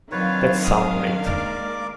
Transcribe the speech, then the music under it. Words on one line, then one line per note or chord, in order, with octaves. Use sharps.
That's sound mate.
D#3 F#3 C4 D4 F4 B4 C#5 F5
D#6
G#3 A#3 A#4 D5 D6